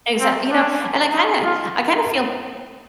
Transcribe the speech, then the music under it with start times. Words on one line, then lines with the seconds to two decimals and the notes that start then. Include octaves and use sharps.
Exact you know, and I kinda I kinda feel,
0.20 C4
0.51 D4
1.12 D#4
1.44 F4